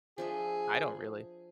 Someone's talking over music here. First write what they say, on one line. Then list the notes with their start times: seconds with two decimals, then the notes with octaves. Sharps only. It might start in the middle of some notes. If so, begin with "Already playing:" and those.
I don't really.
0.18 F3 D4 G#4 E5